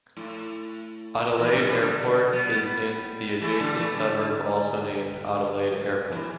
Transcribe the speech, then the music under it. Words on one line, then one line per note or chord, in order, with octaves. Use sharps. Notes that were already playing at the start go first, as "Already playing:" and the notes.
Adelaide Airport is in the adjacent suburb also named Adelaide Airport.
A2
B2
B2 E3
D3 G3
B2 E3
D3 G3
G3 B3
E3 A3
D3 G3
E3 A3
D3 G3
B2 E3